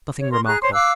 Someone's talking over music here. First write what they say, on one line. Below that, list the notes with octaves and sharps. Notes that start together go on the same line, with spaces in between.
Nothing remarkable.
C#5
A#4 C6
G#4 A#5 F#6
C5 C#5 C6
F5 D6 E6 F#6